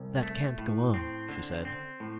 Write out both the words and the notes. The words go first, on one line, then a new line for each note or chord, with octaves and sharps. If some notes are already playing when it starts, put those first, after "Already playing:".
"That can't go on," she said.
Already playing: C2
A3
A2
C4
D3
C4
A2